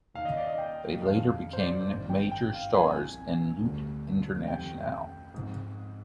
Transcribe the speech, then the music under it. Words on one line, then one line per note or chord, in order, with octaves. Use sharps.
They later became major stars in Lutte Internationale.
D#2 D#3 A#3 D#4 F5
D#5
D5
D#5
G5
F2 C3 D#3 G#3 D4 F5
C5
D5
G#1 G2 D#3 C5
G5
G5
F5
C2 C3 F3 A#3 G#5
D2 D3 G3
F2 D#3 G3 C4 G5
G#2 F3 C4